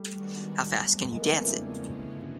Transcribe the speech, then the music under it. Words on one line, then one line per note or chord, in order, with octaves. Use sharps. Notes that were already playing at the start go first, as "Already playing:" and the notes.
How fast can you dance it?
Already playing: G3 A3
D#3 G#3 B3 D4 F#4
A2 F#3 B3
E2 C#3 F3 G#3 A#3
A3 B3
A#3 C4
D4 E4
C#3 F3 G#3 C#4
G2 D3 F#3